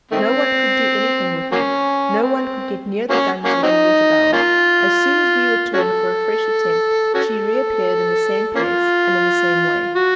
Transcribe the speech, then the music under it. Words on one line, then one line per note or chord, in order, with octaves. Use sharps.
No one could do anything with her; no one could get near the guns or the water-barrel; as soon as we returned for a fresh attempt she reappeared in the same place and in the same way.
D#3 A3 C4
F#3 A#3 C#4
C4
F#3 A#3 C#4
F#3 A#3 C#4
F#3 C4 D#4
A#3 C#4 F4
C#4 F#4 A4
C#4 F#4 A4
A#3 C#4 F4
F#4